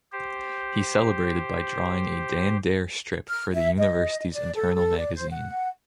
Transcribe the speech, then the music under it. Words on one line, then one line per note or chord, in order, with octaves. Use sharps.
He celebrated by drawing a Dan Dare strip for the University's internal magazine.
G4 C5
F6
E5
D#5
D5
A4
A4
D5
C5
F#5